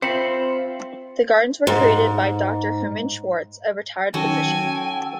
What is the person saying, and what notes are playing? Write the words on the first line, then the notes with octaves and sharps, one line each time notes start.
The gardens were created by Doctor Herman Schwartz, a retired physician.
C4 F4 C5 E5 B5 C#7
G#2
D#3 F#3 C#4 F#4 A4 G5 G#5